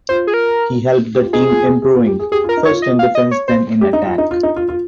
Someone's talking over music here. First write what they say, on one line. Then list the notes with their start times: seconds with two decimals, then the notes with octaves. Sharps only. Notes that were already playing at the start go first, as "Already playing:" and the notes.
He helped the team improving, first in defence then in attack.
0.09 F4 C5
0.27 G#4
0.34 A#4
1.15 G4
1.24 F4
1.33 D#4 G#4
1.49 F4
1.66 G#4
1.82 G#4
1.95 F4
2.07 G4
2.19 G#4
2.32 G4 G#4
2.44 F4
2.49 A#4
2.57 D#4
2.65 C#5
2.69 F4
2.82 D#5
2.99 F5
3.15 D#5
3.31 C#5
3.48 C5
3.81 G4
3.93 D#4
4.06 F4
4.18 D#4
4.31 F4
4.43 D#4
4.56 F4
4.69 F4